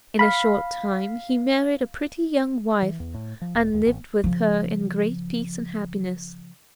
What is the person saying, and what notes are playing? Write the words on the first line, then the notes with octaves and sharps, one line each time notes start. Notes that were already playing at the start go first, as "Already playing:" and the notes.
In a short time he married a pretty young wife, and lived with her in great peace and happiness.
F5 B5
E3
E2
A2
F3
E1
D#2
A1
C#3 F3